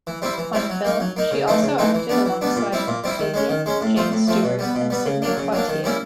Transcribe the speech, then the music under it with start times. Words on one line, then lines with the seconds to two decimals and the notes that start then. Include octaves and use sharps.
On film, she also acted alongside Fabian, James Stewart and Sidney Poitier.
0.07 E3
0.22 G3 C4 E4
0.38 E3
0.53 G3 C4 E4
0.70 F#3
0.85 A#3 D#4
1.00 F#3
1.16 A#3 D#4
1.31 C#3
1.48 E3 A3 C4 D#4
1.62 C#3
1.78 E3 A3 C4 D#4
1.95 E3
2.09 G3 B3 D4
2.25 E3
2.41 G3 B3 D4
2.56 A#2
2.73 G3 C4 E4
2.87 A#2
3.04 G3 C4 E4
3.19 D#3
3.34 G#3 C#4
3.49 D#3
3.66 G#3 C#4
3.81 A2
3.96 F3 A3 C4
4.12 A2
4.27 F3 A3 C4
4.43 B2
4.59 G3 B3
4.75 B2
4.90 G3 B3
5.06 C#3
5.22 F#3 A#3 D4
5.37 C#3
5.52 F#3 A#3 D4
5.69 D#3
5.84 G3 A#3 C#4 E4